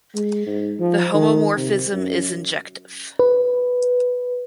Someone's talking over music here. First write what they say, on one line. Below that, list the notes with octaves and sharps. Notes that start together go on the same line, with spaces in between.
The homomorphism is injective.
G#3
G#2
F3
D#3
C3
F#2
B4